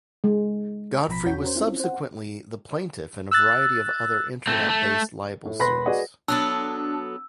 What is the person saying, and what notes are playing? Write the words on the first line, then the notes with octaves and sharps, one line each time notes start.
Godfrey was subsequently the plaintiff in a variety of other internet-based libel suits.
G#3
A1 B2 F3 A#5 B5 B6
E2 C#4 F#4 C#5 G6
C#4 A#4 C5
C4 C#4 E4 F4
C5 F#5
E6 F#6 A6
A3 C4
A3
A2
E1 B4 B5 C6 A#6
F#4 G#4 B4 D5 D#5 F#5
F#3 B3 D4 A4 E6